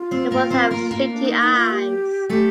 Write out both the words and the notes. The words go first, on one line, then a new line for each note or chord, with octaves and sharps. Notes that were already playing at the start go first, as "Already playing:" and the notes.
They both have slitty eyes.
Already playing: F4
C4 C5
A#3 A#4
C4 C5
A#3 A#4
A#3 A#4
D4
D#4
D#4
F4
G4
A3 G4 A4